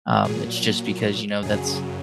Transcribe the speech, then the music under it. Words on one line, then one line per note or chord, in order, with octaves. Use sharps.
Um, it's just because, you know, that's
A#2 F#3 G#4
F#2 C#3 F#3 G#4